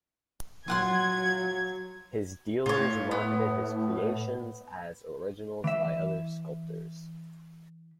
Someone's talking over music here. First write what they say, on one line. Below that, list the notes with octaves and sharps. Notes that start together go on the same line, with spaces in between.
His dealers marketed his creations as originals by other sculptors.
F#3 F4 F#5 C6 G#6
A2 F4 C#5
B3
E3 E5